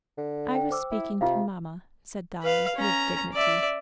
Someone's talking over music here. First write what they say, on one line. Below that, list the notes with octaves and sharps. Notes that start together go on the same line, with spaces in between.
"I was speaking to Mamma," said Dolly, with dignity.
D3
G5
C5 D6 E6
E4
C3 F4 D#5 F5
B4 F5
C#4 A#5
D5 E5